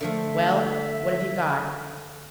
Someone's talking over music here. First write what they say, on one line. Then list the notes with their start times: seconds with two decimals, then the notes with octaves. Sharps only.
"Well, what have you got?"
0.01 D3 F3 A3 E5